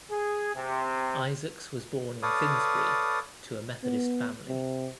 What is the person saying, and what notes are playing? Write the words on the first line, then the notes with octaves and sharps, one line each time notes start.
Isaacs was born in Finsbury to a Methodist family.
G#4
C3
A4 B4 C#5 D5 F5 D#6
B3
C3